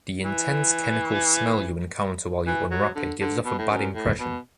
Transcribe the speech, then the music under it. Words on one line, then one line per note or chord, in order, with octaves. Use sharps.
The intense chemical smell you encounter while you unwrap it gives off a bad impression.
E3
E3
F#3
D3
D3
B2
A2
F#2
A2
B2